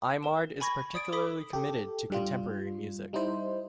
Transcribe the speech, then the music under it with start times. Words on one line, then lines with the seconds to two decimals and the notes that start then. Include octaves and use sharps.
Aimard is particularly committed to contemporary music.
0.23 A#4 E7
0.60 G#5 B5 C#6 G#6 A#6
0.94 D5 D#6 G#6 D7
1.13 A4 B5 D6 D#6 B6
1.53 G4 A4
2.10 G2 G3 F4
3.13 G3 D#4 E4 C5